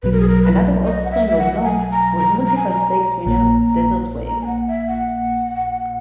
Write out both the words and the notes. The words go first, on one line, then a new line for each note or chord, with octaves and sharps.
Another offspring of note was multiple stakes-winner Desert Waves.
B1 B2 F#3 B4
A#4
G#4
A#4
B4
D#5
F#5
E5
E5
F#5
G#5
A#5
A#5
A#5
G#5
A#5
A#1 A#2 A#3 A#5
A#5
A#5
G#5
F#5
E5
F#5